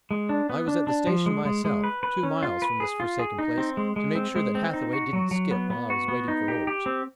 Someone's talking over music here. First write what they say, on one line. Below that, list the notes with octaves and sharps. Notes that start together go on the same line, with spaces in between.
I was at the station myself--two miles from this forsaken place--to make sure that Hathaway didn't skip while I was waiting for orders.
G#3
D4
B3
D4
D4
F3
G#3
G#3
G#3
B4
B4
C#4
F4
B4
G#4
F4
G#4
D#4
C4
G#3
G#3
C4
G#3
C4
D#4
F#4
F#3
F#3
B3
B3
F#4
B3
D#4
G4
G4
C4